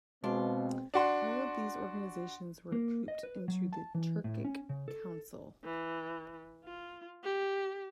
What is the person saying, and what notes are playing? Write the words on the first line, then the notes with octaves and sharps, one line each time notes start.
All of these organizations were coopted into the Turkic Council.
B2 G#3 C4 D4 F4
D4 F#4 C6
A#3
D#5
B4
F#3
A5
E3
A2
C#4
C#3
A4
E3
F4
G4